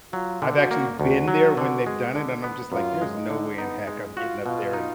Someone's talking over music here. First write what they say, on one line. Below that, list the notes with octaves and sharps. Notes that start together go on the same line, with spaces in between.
I've actually been there when they've done it, and I'm just like, "There's no way in heck I'm getting up there."
F#3 F4
D3
F#4
A#3
D2 F#4
F#3
D3
G#3
D3
B3
F#2 F4
G#3
D#4
D3
B3 D#4
G#3
F4 F#4
B2 F4
D#4